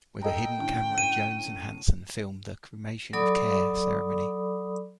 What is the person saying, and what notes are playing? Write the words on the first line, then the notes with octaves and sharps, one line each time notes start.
With a hidden camera, Jones and Hanson filmed the "Cremation of Care" ceremony.
A4 D#5 G5 A#5
F#2 A2 D3
D#7
F#3 A4 D5 B5 D6 D#6